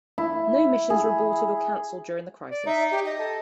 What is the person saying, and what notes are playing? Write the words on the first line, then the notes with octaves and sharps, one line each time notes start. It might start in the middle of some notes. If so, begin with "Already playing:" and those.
No missions were aborted or canceled during the crisis.
E4
G#4
D5
D#4 E5
G4
D#5
A4